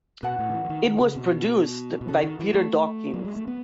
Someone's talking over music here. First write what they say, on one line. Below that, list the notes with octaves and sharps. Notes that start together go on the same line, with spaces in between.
It was produced by Peter Dawkins.
B2 F#4 B4 F#5 A5
A2
D#3
E3
E3
D#3
D#3
C#3
B2
B2
C#3 C#4 F#4 A4
D#3
E3
A3
F#3
G#3
A3
B3